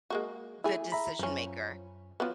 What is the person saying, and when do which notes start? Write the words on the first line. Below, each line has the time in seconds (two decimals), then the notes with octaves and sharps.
the decision maker,
0.10 G#3 A#3 F#4
0.64 A3 E4 G#4
0.92 E5 A#5 B5
1.19 F#2 F3 C#4
2.20 F3 F#3 B3